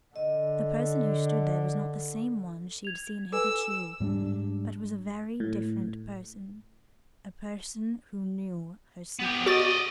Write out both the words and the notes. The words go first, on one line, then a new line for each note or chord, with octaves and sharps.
The person who stood there was not the same one she had seen hitherto, but was a very different person--a person who knew her secret.
D3 D#5
G#6 F7
A4 B4 G#5 E6
G#2 G3 B3 D4
A2
B3 G4
F#4 D5 D#5 D#6 A6